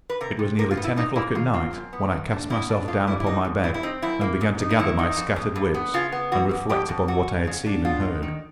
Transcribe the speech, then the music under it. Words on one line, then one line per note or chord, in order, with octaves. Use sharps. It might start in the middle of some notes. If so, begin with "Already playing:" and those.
It was nearly ten o'clock at night when I cast myself down upon my bed, and began to gather my scattered wits, and reflect upon what I had seen and heard.
B4
C3 A#4
C3
C3 A#4
F4
B3
E4
C3 D#4
A#3 E4
D#3 F4
C4 F4
F#2
B3
D#3
D4
B2 E4
D4
F2 F4
G3 E4
E4
F2 D#4
F2
C3 E4
E4
C4 D#4
F#2 E4
A#3
G#2
D#4
D#4
D#3 E4
D#4
F2
F2
G2
B3
C#3 F4
B3
E2 F#4
E2
F2 G4
F2
C3 F#4
C#4
C#3
D4
B2 F4
D#4
D#3